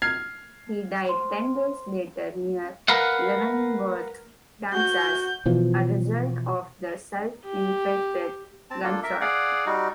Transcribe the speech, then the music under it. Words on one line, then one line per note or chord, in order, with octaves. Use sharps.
He died ten days later near Leavenworth, Kansas, a result of the self-inflicted gunshot.
F6 G#6 C7
C5 C6
A#4 B4 F5 F#5
F#4 G6
B2 E3 F3
G4
C4 A5
A#3 D4 F4 A4
A#4 E5
G#4 D5 F5 F#5
G3 D#4 F#4